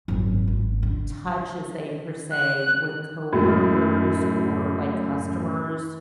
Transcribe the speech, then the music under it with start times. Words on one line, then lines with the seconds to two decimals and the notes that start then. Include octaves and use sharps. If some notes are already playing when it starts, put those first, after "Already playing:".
touch, as they per se, with coworkers or, like, customers
0.08 G#1 F#2
0.48 G#1
0.83 D3
2.31 F#6
3.33 F#2 A2 F#3 G#3